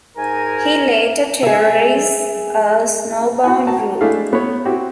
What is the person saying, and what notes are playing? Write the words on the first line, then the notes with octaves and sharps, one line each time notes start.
He later terrorizes a snowbound group.
G#2 D#4 A#4 G#5
G#4 E5
F#4 F#5 G#5
F#4 A5 A#5
G#3 A3 D4 E4 G#4 F5
A3 B3 C#5
C4 E4 F#4 G4